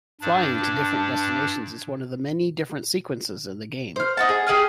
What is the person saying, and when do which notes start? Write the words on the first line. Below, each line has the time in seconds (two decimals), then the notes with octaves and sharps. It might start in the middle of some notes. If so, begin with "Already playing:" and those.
Flying to different destinations is one of the many different sequences in the game.
0.21 G2 D4
3.96 C5 F6
4.17 D#4 F#5 A5
4.29 G#4
4.47 G4 G#4 G#5 F6